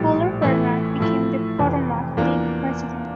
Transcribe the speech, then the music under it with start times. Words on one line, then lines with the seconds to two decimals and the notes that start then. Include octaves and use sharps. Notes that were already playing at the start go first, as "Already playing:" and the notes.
Fuller Bernard became the Potomac League president.
Already playing: A#1 A2 G3
0.42 A1 A2 E3 A3 E4
1.00 A2 F3 A3 E4
1.59 F1 F2 E3
2.17 E2 E3 A#3 D4 F4